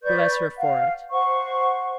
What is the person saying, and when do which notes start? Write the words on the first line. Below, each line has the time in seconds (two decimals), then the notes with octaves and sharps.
Bless her for it!
0.03 B4 D5 C#6 G6
0.58 F5 F#5
1.11 C5 F#5 C#6